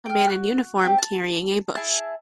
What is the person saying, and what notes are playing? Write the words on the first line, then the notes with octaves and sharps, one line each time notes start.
A man in uniform carrying a bush.
G5 F6
F#4
C4 G4 G6
A5
E4 G#4 E5 A5